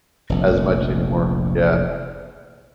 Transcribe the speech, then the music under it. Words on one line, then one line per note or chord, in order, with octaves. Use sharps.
as much anymore. Yeah.
F1 A#1